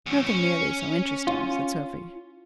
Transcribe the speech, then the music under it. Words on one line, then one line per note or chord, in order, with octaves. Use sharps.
"Nothing nearly so interesting," said Sophy.
E2 A2
C#4
F4